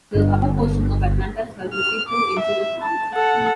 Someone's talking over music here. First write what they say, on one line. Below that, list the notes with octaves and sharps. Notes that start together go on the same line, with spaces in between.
The upper portion of "Atlanta"s hull received two inches of armor.
G1
F6
D6
E5
A5
A4 F#5